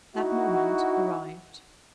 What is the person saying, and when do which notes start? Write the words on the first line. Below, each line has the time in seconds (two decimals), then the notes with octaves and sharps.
That moment arrived.
0.16 D#4 E4 F#4